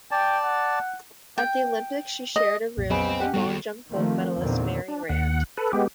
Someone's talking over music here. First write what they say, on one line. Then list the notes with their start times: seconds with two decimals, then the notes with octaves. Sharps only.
At the Olympics she shared a room with long jump gold medallist Mary Rand.
0.11 D5 G5 A5
0.44 F#5
1.38 G5
2.36 D#5
2.77 B1 F2 A#2
2.90 F2 C#3 F#3 B3 C4 G#4 D#5 G#5
3.20 G4 F#5
3.34 G2 G3 B3 D#4 F#4 A4 G5
3.46 D#2
3.91 D#3 F3 A3 A#3 C4
4.38 E2 A#2 D3 D#3 A#3 C4
4.88 D4
5.09 D#2 F#5
5.57 A4 B4
5.73 G#3 B3 G4